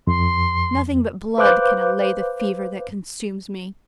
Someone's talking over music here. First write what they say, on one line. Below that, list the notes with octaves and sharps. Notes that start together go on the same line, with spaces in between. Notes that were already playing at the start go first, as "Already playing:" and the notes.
Nothing but blood can allay the fever that consumes me.
F2 C6
B4 C5 F5 D6 F#6 G6